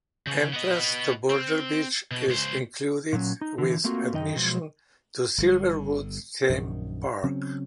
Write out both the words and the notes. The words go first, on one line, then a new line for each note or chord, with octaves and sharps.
Entrance to Boulder Beach is included with admission to Silverwood Theme Park.
C#3
B3 D#5
C4
B2
C#2 C5
A#2 F#3 C#4
D#4
D3 E3
A3 A#3 C4 F4 F#4
F#2 D#3 D#4 D#5 G5
B2 D3 F3 F#3 G#3
G1 D3 G3
A#1 F#2 D#3
C#3 F#3 C4 C#4